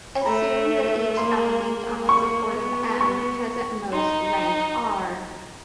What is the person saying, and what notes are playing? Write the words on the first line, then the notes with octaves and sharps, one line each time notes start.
Assume that each element on the support of "M" has at most rank "r".
B5
A3 A#5
A#3 C6
A#3
C#6
B3
C#6
D#4 C6
A#5